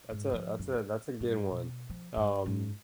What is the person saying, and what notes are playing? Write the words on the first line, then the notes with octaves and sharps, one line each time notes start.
That's a that's a that's a good one. Um,
G#2
F3
F#2
A3
G2
B2
F3
G2
G#2